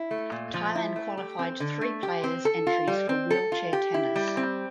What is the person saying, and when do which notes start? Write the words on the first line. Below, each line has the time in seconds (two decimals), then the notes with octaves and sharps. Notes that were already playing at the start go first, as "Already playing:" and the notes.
Thailand qualified three players entries for wheelchair tennis.
Already playing: E4
0.11 A3
0.32 A#2
0.54 F3
0.75 E4
0.96 A3
1.17 G4
1.39 C4
1.60 D3
1.81 A3
2.03 G4
2.24 C4
2.45 A4
2.67 F4
2.88 G3
3.09 C4
3.30 A4
3.52 F4
3.73 G4
3.94 E4
4.16 G3
4.37 C4